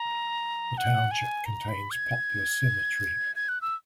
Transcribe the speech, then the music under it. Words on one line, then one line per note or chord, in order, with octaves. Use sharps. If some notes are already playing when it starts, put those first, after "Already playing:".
The township contains Poplar Cemetery.
Already playing: A#5
F#5
G#5
A#5
B5
G#6
G#6
F#6
E6